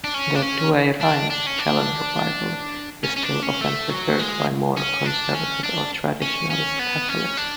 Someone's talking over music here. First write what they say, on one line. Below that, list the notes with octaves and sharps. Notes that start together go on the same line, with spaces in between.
The Douay-Rheims Challoner Bible is still often preferred by more conservative or Traditionalist Catholics.
D4
C#4
D4
C#4
D4
D4
C#4
D4
C#4
C#4
D4
C#4
A3
F#3
G#3
C#4
D4
C#4
D4
C#4
C#4
B3
C#4
D4